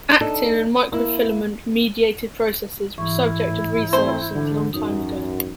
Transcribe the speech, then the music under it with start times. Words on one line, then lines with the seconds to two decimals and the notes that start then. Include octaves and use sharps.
Actin and microfilament-mediated processes were subject of research since long time ago.
0.21 D4 D#4 A4
0.92 A#3 E4
2.98 G#2 E3 E4 C#6
3.45 A2
3.93 A3 C4 C5
4.34 D3
4.74 F#2 D#4